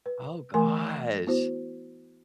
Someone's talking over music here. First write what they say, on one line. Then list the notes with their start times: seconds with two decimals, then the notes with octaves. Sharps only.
Oh gosh.
0.06 B4
0.54 E3 A3 A#4 G#5 C6
1.27 B3 E4 F#4 C5